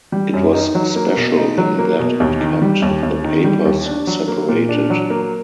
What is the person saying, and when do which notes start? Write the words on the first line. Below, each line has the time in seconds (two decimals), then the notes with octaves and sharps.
It was special in that it kept the papers separated.
0.12 G3
0.34 F#2
0.54 D#4
0.75 F#3
0.96 A#3
1.17 B2
1.37 D#4
1.58 F#3
1.79 A#3
1.99 B2
2.20 D#2
2.41 D#3
2.62 G3
2.82 D#2
3.03 D#2
3.24 D#3
3.44 G3
3.65 D#2
3.86 D4
4.07 F#3
4.28 A#3
4.49 A#2
4.69 D4
4.90 F#3
5.10 A#3